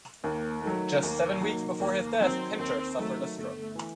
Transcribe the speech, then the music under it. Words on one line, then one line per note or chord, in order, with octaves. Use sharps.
Just seven weeks before his death, Pincher suffered a stroke.
D#2 A#3
D#3 F#3 A3
D#2 A#3
D#3 F#3
D#2 A#3
D#3 F#3 C4
D#2 C4
D#3 F#3 A3
G1 A3
E3